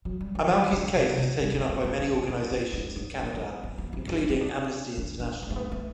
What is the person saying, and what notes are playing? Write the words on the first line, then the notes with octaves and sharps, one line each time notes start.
Almalki's case was taken up by many organizations in Canada, including Amnesty International.
F#3
G3
F#3
G3
D3
C3
C3
G3
A3
B3
A3
C4
E4
E4
D4
D4
D4
D4
D4
B3
C4
B3
E4
D4
D4
C4
D4
D4
D4
D4
A3
B3
A3